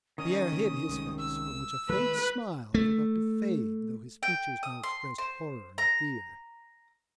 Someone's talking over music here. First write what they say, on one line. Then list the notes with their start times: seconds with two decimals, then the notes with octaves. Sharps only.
Pierre hid his face, from which a faint smile forgot to fade though his features now expressed horror and fear.
0.18 D#3 C#4 D#5 D#6
0.52 C#3 A#3
0.89 C2 G3 G#3
1.18 E6
1.89 D#3 G#3 A3 B4
2.74 A3
4.23 G5
4.63 D#6
4.83 C6
5.18 C5
5.78 A#5